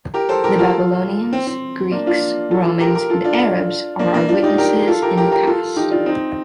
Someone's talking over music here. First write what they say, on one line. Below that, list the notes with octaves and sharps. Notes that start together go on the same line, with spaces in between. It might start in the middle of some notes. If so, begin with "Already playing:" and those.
The Babylonians, Greeks, Romans, and Arabs are our witnesses in the past.
G4 A#4
A4 C5
G4 A#4
F4 A4
C4
C4
A#3 D4
D4 F4
F4 A4
F4 A4
G4 A#4
G4 A#4
F4 A4
D4 F4
A#3 D4
A#3 D4
D4 F4
D#4 G4
G4 A#4
F4 A4
G4 A#4
G4 A#4
G4 A#4
F4 A4
D#4 G4
D4 F4
C4 D#4